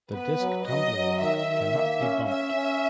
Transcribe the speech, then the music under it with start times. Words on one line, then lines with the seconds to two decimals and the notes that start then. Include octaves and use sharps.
The disc tumbler lock cannot be bumped.
0.13 B3 B4
0.40 F#3
0.66 F#3 D#5
0.94 F#3
1.20 D#3 E5
1.47 D#3
1.75 A#3
2.01 C#4
2.28 C#4 E5
2.55 C#4